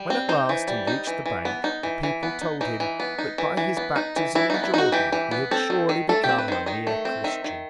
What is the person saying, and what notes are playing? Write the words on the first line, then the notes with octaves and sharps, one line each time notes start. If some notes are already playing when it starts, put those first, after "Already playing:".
When at last he reached the bank the people told him that by his baptism in Jordan he had surely become a mere Christian.
Already playing: G3
C4
D#4 C5
E3
G3
D#4
E3
E3
B3
D#4
E3
E3
B3
D#4
E3 D#4
E3
B3
D#4
E3
E3
B3
D#4
E3
E3 E4
B3 D#4
E4
D#4 F#4
E3 G4
E3
B3
C4 A4
D#3
D#3
A3 A4
G4
C4
B4
D#3 C5
D#3 D#5
A3
C4
D#3 E5
D#3